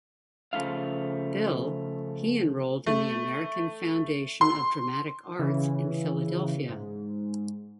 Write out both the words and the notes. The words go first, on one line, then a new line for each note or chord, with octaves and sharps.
Bill, he enrolled in the American Foundation of Dramatic Arts in Philadelphia.
C#3 F3 A3 E4 F5
A3
C6
C#3 E3
G#2